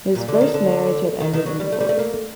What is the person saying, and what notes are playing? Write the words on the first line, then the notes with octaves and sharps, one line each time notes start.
His first marriage had ended in divorce.
A#2
D3
D#3
D3
D#3
D#3
F#3
G3
A3
G3
A3
A#3